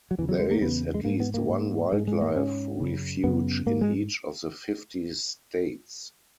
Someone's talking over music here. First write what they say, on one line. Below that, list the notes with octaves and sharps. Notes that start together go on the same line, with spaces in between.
There is at least one wildlife refuge in each of the fifty states.
F#3
E2 C#3 E3
F#3
G#3
A#3
E2 C#3 B3
G#3
G#2 A#3
B3
A#3
G#2
G#2 G#3
G#3
A#3
G#2 C#4
F#2 C#3
F#2 C#3 B3
G#2 A#3
G#3